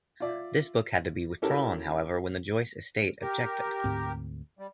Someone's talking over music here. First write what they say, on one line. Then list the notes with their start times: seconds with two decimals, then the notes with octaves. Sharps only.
This book had to be withdrawn, however, when the Joyce estate objected.
0.20 F4 D5 E5
1.42 C#4 E4 F#4 G4 A4 A#4
3.22 G4 A#4
3.84 D2 G#2 C4
4.59 G3